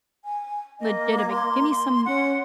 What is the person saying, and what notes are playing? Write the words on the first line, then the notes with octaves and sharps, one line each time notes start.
legitimate give me some
G#5
A#3 D#5
C6
C#4 F#5